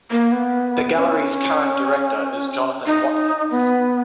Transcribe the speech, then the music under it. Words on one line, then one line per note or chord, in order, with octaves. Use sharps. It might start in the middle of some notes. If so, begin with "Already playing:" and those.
The gallery's current director is Jonathan Watkins.
A#3
B3
C#4
D#4
B3